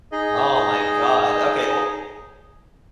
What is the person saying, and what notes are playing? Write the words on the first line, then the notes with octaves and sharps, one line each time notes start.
Oh my God. Okay, well eh,
D#4 G#4 D#5